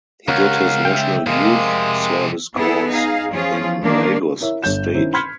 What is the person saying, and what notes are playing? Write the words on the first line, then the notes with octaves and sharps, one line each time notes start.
He did his National Youth Service Corps in Lagos State.
C#2 A#4 C#5 F5 F#5
E5 G5
F2 C3 G#3 A#4 F5
B3 E4 G#4 A4
D#4 G#4 F5
F3 C#4 F4 G#4
D#3 A#3 D4
E4 A#4 C#5 E5
G1 C#5 G6 E7
D#3 C#4 D#4 E4 C5
B5 C6 F6 G#6 B6 C#7